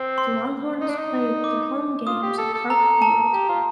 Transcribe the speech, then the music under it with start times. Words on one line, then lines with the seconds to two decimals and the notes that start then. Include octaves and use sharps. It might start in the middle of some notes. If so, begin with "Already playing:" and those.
The Longhorns played their home games at Clark Field.
Already playing: C4
0.18 C6
0.81 D#4
0.89 D4
0.98 D#4
1.44 D6
2.07 F4 D#6
2.23 G4
2.38 A4
2.54 A4
2.70 A4 A#5
3.02 A5
3.33 G4
3.49 F4